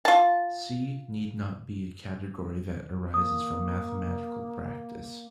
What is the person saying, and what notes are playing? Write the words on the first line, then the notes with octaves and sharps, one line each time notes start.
"C" need not be a category that arises from mathematical practice.
F4 A5
A#3 D#6